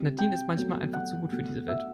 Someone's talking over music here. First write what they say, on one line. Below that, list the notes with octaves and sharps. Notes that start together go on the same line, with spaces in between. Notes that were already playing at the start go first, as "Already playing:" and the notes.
Nadine ist manchmal einfach zu gut für die Welt.
Already playing: C3 G3
G5 G6
B2 F#3 A3
F#5 F#6
B2 A3
E5 E6